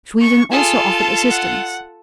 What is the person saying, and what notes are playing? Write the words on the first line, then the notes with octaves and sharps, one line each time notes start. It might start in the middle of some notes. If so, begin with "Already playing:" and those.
Sweden also offered assistance.
C#6
F4 G#4 A4
A5
F#5